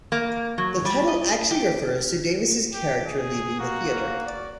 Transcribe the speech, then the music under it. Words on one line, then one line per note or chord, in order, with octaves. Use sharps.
The title actually refers to Davis's character leaving the theater.
A#3
F#3
G3
D#5
G4
G4
G#4
A#3 F#4
A#3
D5